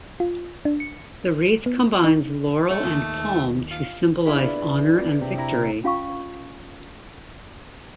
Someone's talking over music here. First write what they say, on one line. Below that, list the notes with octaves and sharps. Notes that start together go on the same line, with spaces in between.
The wreath combines laurel and palm to symbolize honor and victory.
F4
D4
C#7
B3
D#4
A3 C#5
D#2
F4
D4 E4 F4 G#4 B4
E4
C3
E4 A#5
C#4 F4 F5 B5 C#6